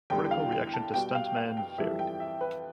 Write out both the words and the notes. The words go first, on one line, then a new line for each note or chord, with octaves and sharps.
Critical reaction to "Stuntman" varied.
E2 D3 G3 G5
F5
G5
A5
B2 G3 G5
F5
F5
G5
F2 E3 G3 E5
G5
E5
B4